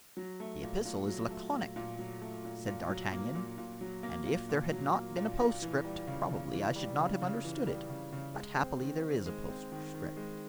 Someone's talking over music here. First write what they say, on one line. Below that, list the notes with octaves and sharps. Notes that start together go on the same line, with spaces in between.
"The epistle is laconic," said D'Artagnan; "and if there had not been a postscript, probably I should not have understood it; but happily there is a postscript."
F#3
A3
A#2
A#2
F#3
A3
A#2
A#2
F#3
A3
A#2
A#2
F#3
A#3
A#2
A#2
F#3
A#3
A#2
A#2
F#3
A#3
A#2
A#2
E3
G3
C#3
C#3
E3
G3
C#3
C#3
E3
G3
C#3
C#3
G#3
C4
D#3
D#3
G#3
C4
D#3
D#3
G#3